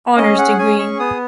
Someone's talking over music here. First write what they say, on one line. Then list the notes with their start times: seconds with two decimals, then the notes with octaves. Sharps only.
Honors degree.
0.17 C#4 D#5
0.38 G#4 F#5
0.58 C#4 G#5
0.78 G#4 C#6
0.99 B3 D#6